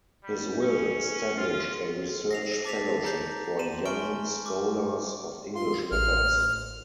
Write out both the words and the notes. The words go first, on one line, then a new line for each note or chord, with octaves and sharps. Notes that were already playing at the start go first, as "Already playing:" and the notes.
His will established a research fellowship for young scholars of English Letters.
G3
C#4
F4
A#6 C7 F7
A5 D6 A6 B6 F7
A#5 G6
A#5 C6 D#7 E7
G#5 C6 C#6 F6 D7 G7
D6
F4 C6
A1 F6